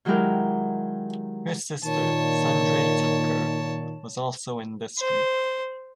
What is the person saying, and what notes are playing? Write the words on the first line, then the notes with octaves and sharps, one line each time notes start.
Her sister, Sundray Tucker, was also in this group.
D#3 F#3 G#3 E4 G4 A#4
A#2 D#3 C#5 A5
C5